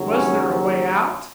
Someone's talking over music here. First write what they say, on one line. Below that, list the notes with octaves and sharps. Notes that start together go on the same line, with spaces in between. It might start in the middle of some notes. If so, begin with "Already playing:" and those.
Was there a way out?
Already playing: D#2 C#3 F#3
C#4